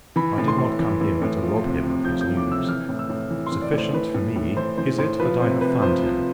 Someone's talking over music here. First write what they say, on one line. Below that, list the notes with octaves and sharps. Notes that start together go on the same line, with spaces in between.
I did not come here to rob him of his news. Sufficient for me is it that I have found him.
E3 B5
A2
C6
A2
E3
E3
A2
F3
C3
C3
F3 G6
F3 G6
D6
C3 E6
E3 F6
A2
E6
A2
E3
C6
E3
D5
A2 C5
E3 B4
A2
A2
E3 C5
E3 C5
A2 C5
F3 B4
C3 C5
C3 B4
F3 C5
F3